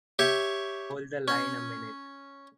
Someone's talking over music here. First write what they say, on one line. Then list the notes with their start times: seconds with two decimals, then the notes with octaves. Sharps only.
Hold the line a minute.
0.19 G4 C#5 E5 C#6
1.28 C#4